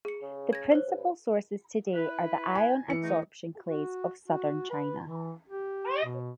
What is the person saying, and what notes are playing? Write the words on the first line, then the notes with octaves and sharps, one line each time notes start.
The principal sources today are the ion adsorption clays of southern China.
G#4 C#7
C#3
G#6 A#6
C5 C#5
G2
E4 B4
G#5
E3 C#7
E2 A3 D#4
F#4
F#4
B4
E3
G4
B2